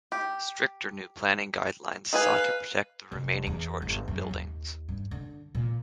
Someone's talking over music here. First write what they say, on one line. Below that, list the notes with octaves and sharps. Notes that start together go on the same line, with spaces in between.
Stricter new planning guidelines sought to protect the remaining Georgian buildings.
G4
D#4 G#4 B4 F5 G#5
F1
E2
G1
F#2
D#2
G2
D3
A#2